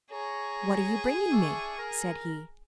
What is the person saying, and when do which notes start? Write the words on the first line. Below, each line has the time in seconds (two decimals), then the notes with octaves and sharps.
"What are you bringing me?" said he.
0.11 G#4 C#5 A#5
1.31 D4 E5 C#6
1.79 A#4